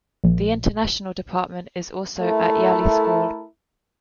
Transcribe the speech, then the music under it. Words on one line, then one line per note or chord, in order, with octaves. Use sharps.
The international department is also at Yali School.
A#1
A3 E4 A4 A#4